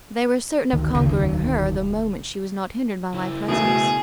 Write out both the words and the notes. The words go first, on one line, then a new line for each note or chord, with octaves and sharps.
They were certain of conquering her the moment she was not hindered by my presence.
D2 D3 D#3
B1 C#3
E1
C#3 E4
B2 A3 G#4